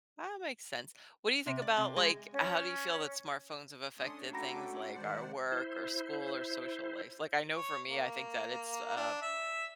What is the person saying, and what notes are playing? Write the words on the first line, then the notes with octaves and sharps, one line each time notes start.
That makes sense. What do you think about, like how do you feel that smartphones have affected things like our work, or school, or social life? Like, I know for me, I think that it's a
C3
D5
C3
G#3
C#4
A3 C#4 D4 C6 D#6
F#4 A4 G5 A#5 B5 D6 A#6
D#3 G#3 C5 D5 F#5
E4 C5
C#5
A#3
D4
E5